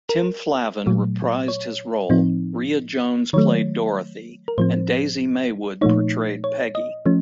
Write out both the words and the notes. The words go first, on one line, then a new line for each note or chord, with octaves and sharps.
Tim Flavin reprised his role, Ria Jones played Dorothy and Daisy Maywood portrayed Peggy.
A#4
A#2 F#3 A3
C#5
A2 F3 C4 D#4
D#3 F#3 A3 C#5
A#4
A2 F3 C4 C5
A#2 F3 A3 D#4 C#5
C#5
D#5
F3 A3 C#4